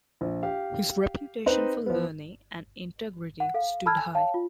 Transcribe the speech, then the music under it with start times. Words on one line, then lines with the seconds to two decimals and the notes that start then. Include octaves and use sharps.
His reputation for learning and integrity stood high.
0.21 A#1
0.43 G4 F5
1.46 C4 D#4 B4 D#5
1.86 F3 B3
3.40 F#5
3.54 A4 F5
3.86 A4 A5 B5 E6 F6 G#6
3.97 G#5
4.15 C#5 F5 G5 A5
4.34 F4